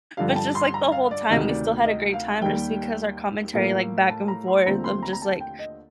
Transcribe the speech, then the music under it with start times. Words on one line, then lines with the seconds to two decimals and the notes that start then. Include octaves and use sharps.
but just, like, the whole time we still had a great time just because our commentary, like, back and forth of just, like,
0.17 G2 D3 F3 F5
0.29 G5
0.36 A5
0.55 C6
0.74 A#5
0.92 F5
1.11 D5
1.30 D2 C3 D#3 D#5
1.49 D5
1.86 D#5
2.14 F5
2.41 D#2 D#3 G3 G5
3.54 A2 F3 A#3
4.10 A5
4.28 A#5
4.48 C6
4.65 D#2 D3 F3 A3 C4 A#5
4.84 C6
5.03 A#5
5.13 A#5
5.22 A5
5.40 G5
5.59 D#5